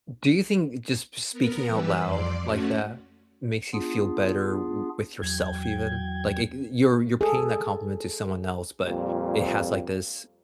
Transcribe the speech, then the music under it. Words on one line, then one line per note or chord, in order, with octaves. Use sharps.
Do you think just p speaking out loud like that makes you feel better w with yourself even? Like, eh, you're you're paying that compliment to someone else, but it has like this,
B3 A#4
E3 G3 B4 E6
F2 D5 C6 D6
A3 C#4 F#4
B3 D4 F4 G#4
E2 F#3 G5 G#6
G#4 A4
F2 A#2 G3